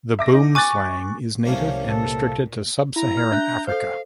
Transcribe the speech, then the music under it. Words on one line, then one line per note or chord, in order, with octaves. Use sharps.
The boomslang is native and restricted to Sub-Saharan Africa.
E5 D6 A#6
D#4
G#5 C#6 D6 F#6 A6
C2 F3 A3 A#3 C#4
A#2 A4
E4 A#5
F6
D4 E5 F#6 G6
A4 C5 F5